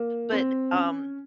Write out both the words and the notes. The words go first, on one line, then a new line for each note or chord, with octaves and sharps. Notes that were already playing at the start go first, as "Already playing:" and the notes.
but, um,
Already playing: A#3
C4
C#4